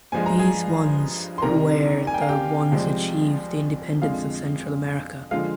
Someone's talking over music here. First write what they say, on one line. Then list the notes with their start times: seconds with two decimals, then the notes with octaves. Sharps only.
These ones where the ones achieve the independence of Central America.
0.12 G2 F3 G#3 G#5
0.26 A#5
0.39 G#4 G#5
1.38 C6
1.42 C2 C3 D#3 A#4 A#5
2.07 G#5
2.14 G5
2.21 F5
2.29 G4 G5
2.72 C2 C3 F3 G#3
4.02 F2 D3 G#3 F4 F5
5.31 D3 F3 G#3 F4 F5